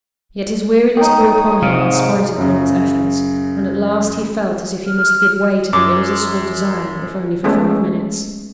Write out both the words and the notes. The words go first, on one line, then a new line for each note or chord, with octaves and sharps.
Yet his weariness grew upon him in spite of all his efforts, and at last he felt as if he must give way to the irresistible desire, if only for five minutes.
G#3 D#4 C#5 G5 D#6
G#2 C3 F5
F#2 C#3
F6
F#2 D6
G#3 A3 B3 C#4 A4